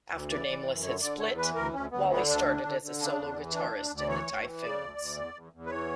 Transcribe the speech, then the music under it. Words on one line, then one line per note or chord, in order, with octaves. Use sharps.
After Nameless had split, Walli started as a solo guitarist in The Typhoons.
D2
E3 D5
E3
F#2
D3 C#5
D3 D5
E2 C#5
E3 B4
D2 A#4
D2 C#4
D2 B3
D3 B3
D2 D4
D3
D3
D3
C#3 D4
E2
E3
D2 D4
D2
D2
D5
E3 C#5
D2
E3
C#3 D5
D2
D2
E2
E2
E2
B4
E3 C#5